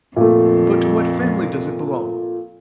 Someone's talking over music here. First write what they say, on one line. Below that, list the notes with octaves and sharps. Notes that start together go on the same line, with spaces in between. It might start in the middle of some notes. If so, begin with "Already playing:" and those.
"But to what family does it belong?"
F2 A#2 A3